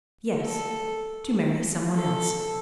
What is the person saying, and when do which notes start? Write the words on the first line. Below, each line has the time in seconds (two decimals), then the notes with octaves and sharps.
"Yes--to marry some one else."
0.43 A4
1.96 A4